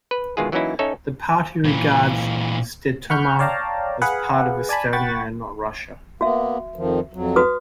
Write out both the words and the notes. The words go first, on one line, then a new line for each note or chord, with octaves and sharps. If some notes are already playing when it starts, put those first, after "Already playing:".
The party regards Setomaa as a part of Estonia and not Russia.
B4
B2 D#3 E3 G#3 F4 G#4
E3 F#3 A#3 C#4 D#4 E4
C#4 D#4 A4 C#5 E5
A#2 E3
F#5 B5 C#6 F6 G6
C#5 D5 F5 G5 A5 A#5
G#4 B4 F5 F#5
D5 G#5 A5 B5
F#5 G5 B5 C#6 A6
A#3 B3 F#4 E5
F2 D#3 F3
F2 F#3
F#4 B4 D#6